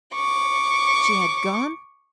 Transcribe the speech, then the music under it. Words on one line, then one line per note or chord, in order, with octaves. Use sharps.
"She had gone?"
C#6 D6